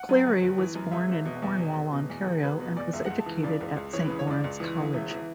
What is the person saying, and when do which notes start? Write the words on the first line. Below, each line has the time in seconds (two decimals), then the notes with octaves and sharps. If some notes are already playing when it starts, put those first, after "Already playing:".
Cleary was born in Cornwall, Ontario, and was educated at Saint Lawrence College.
Already playing: F#5
0.09 F#2
0.26 G1
0.42 G1
0.58 E3
0.75 F#2
0.92 E1 E5
1.09 E1
1.25 B2
1.42 E2
1.59 E1
1.76 E1
1.93 B2
2.10 E2
2.27 E1
2.43 E1 B4
2.60 B2 B4
2.76 E2 D5
2.93 C#2 E5
3.06 F#5
3.10 C#2
3.19 A5
3.26 E3
3.43 C#3 D5
3.61 C#2
3.76 C#2
3.93 E3 C#5
4.05 B4
4.10 C#3
4.19 C#5
4.27 C#2 D5
4.44 C#2
4.60 E3
4.78 C#3
4.93 E1 E5
5.11 E3